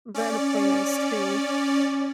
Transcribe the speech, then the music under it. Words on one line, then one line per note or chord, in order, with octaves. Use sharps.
vet appointments to
C#4 D5